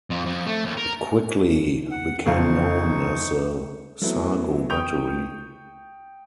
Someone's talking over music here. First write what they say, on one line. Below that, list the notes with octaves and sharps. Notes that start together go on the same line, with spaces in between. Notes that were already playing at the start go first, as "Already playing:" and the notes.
It quickly became known as the "Sargo battery".
F2
F2
A3
D#2
A#4
F#5
F#1 F2 D#4 F5 C#6
F#3 A3 B3 C4 E4
G5 C#6 D#6 G6 F7